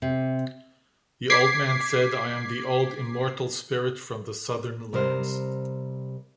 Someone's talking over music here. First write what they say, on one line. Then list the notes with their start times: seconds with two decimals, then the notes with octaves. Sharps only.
The old man said, I am the old immortal spirit from the southern lands.
0.02 C3
1.30 D6 G#6 B6 C7
4.93 C3 G3 A#4 C5